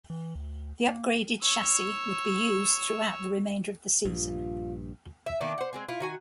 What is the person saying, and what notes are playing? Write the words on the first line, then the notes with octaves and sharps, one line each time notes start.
The upgraded chassis would be used throughout the remainder of the season.
E3
D2
A#3
C#5 E6
A#1 G2 F4
E5
D#3 A#3 B3 D4
C5 F#5
G#3 C4 G#4
E4 F4
D#3 F#4 G#5